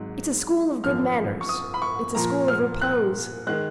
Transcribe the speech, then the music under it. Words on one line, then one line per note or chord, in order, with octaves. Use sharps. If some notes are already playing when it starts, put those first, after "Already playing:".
It's a school of good manners; it's a school of repose.
Already playing: G#1 G#2 F#3
G#1 F#2 F3 F6
C#6
D#6
B5
C#6
A#2 F3 A#3 A#5
F6
F#6
D#3 G#3 F#6